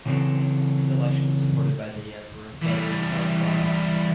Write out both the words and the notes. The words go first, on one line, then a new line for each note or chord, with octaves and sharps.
His election was supported by the Emperor Frederick Barbarossa.
C#3 E3 F#3 C4 A4
E3 G3